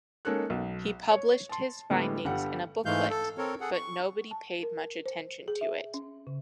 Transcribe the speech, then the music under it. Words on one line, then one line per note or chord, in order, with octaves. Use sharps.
He published his findings in a booklet, but nobody paid much attention to it.
G#3 A#3 C#4 D#4 A4 F#6
B1
C#5
A5 C6
A2 D3 G3 G#3 B3
G1 D3 G3 F#5
G#2 E3 G#3 A3 F5 G6
A4
C4 A4 A#4 C#5
G#4 A4 F#5
C#6
A5
A#4
C5
G#4
E5
C#4
C#3